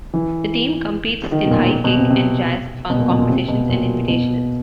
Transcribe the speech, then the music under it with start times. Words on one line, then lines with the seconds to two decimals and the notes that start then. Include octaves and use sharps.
The team competes in high kick and jazz funk competitions and invitationals.
0.14 E3
1.32 D#3
1.45 B2
1.51 A#2
1.71 A#2
1.84 B2
1.97 C3
2.10 C3
2.90 B2
2.99 A#2
3.09 B2
3.19 A#2
3.30 C3
3.48 B2
3.69 A#2
4.08 B2